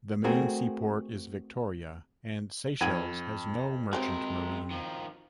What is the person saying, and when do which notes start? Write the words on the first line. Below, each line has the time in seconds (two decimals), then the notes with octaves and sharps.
The main seaport is Victoria, and Seychelles has no merchant marine.
0.24 A3 C4 F#4 G#4 A#4
2.81 F2 D#4 F#5 G5 G#6 D#7
3.93 F#3 G#3 C4 G4 A#4 C5
4.71 D#3 F3